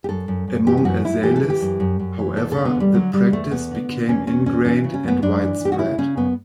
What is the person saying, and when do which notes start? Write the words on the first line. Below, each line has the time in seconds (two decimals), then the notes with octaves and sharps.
Among Azalis, however, the practice became ingrained and widespread.
0.04 G4
0.09 F#2 A4
0.28 F#2
0.48 F#2
0.67 E3 G4
0.77 G4
0.85 F#2 F#4
1.04 F#2 E4
1.23 E3 G4
1.36 A4
1.42 E3
1.50 G4
1.61 F#2
1.80 F#2
1.99 F#2
2.19 E3
2.37 E2 A4
2.52 D3 A4
2.65 B3
2.75 E2
2.80 G3
2.94 D3 F#3
3.14 D3 G3
3.33 E2 A3
3.51 E2 B3
3.71 D3
3.89 D3
4.08 E2 C#4
4.27 E2 C#4
4.46 E2 C#4
4.65 E3 C#4
4.84 C#3
4.94 C#4
5.04 F#2 B3
5.22 F#2 D4
5.41 E3
5.60 E3
5.65 G4
5.72 F#4
5.79 C#3 E4
5.98 C#3 C#4
6.17 F#2 B3